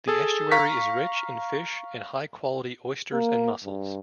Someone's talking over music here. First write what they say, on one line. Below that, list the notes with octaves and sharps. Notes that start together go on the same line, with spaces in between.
The estuary is rich in fish, and high quality oysters and mussels.
G#4 A4
F5 A#5 C#6 B6
A#3
G2